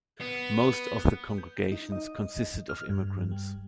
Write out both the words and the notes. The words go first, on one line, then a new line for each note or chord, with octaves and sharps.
Most of the congregations consisted of immigrants.
B3
G6
D#4
D#5
F6
G2
G3